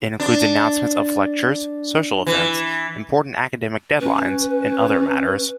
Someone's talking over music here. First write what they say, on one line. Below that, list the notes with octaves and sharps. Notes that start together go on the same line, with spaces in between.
It includes announcements of lectures, social events, important academic deadlines, and other matters.
D4
E3
C#4 B4